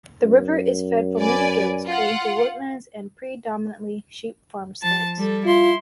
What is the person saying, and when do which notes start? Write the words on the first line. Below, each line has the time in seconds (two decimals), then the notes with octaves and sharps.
The river is fed from many gills cutting through woodland and predominantly sheep farmsteads.
0.23 F#2
1.19 B4 D5 G#5
1.86 F4 F#5
4.80 F3 A5 A6
5.16 G3 A4
5.45 E4 F4 C6